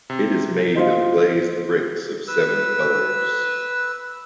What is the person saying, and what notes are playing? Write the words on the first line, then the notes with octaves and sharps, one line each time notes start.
It is made of glazed bricks of seven-colors.
C3
F4 C5 D#5
B4 E6